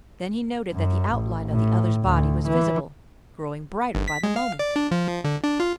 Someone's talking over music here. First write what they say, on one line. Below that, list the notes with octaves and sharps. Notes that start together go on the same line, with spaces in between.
Then he noted that the outline of the other's body was visible, growing brighter by the moment.
F#2
A1
A2
D2
E3
G1
B6
G#3
F5
D5
D4
F3
D3
D4
F4